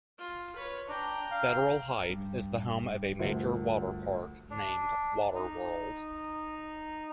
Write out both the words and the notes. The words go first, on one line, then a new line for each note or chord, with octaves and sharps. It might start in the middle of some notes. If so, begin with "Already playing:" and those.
Federal Heights is the home of a major water park named Water World.
F4
B4 C#5
D4 G5 A#5
F5
G2
D2 F3 A#4
D4
D#4